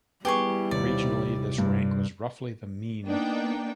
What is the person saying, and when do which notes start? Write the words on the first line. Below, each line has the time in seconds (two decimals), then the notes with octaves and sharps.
Regionally, this rank was roughly the mean.
0.25 G3 B3 E4 G4 G#4 C#6
0.71 D#1 C3 C#5 D5
1.58 G2
3.07 A#3 B3 D4 D#4 G5